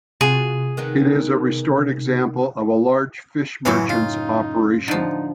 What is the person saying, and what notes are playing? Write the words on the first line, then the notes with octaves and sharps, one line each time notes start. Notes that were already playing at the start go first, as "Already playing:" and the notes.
It is a restored example of a large fish merchant's operation.
C3 F4 F#4 G#4
D#3 B3 D#4
F#2 A2 C#3 E3 F#3
D#4 F4
D3 F3 D#4